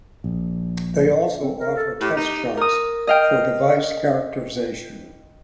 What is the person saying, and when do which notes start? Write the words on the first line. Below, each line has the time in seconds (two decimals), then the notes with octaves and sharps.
They also offer test charts for device characterization.
0.24 A#1
1.41 C4
1.59 A#4
1.77 A4
2.01 A2 G4
2.17 D#4
2.57 A#4 D#6
3.07 D#5 F5 G5